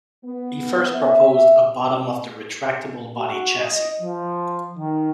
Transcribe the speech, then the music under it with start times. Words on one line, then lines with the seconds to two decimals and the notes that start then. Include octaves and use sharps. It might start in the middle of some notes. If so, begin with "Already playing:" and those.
He first proposed a "bottom of the retractable body" chassis.
0.25 B3
0.95 E5
3.18 F#4
3.60 D#5
4.01 F3
4.78 D#3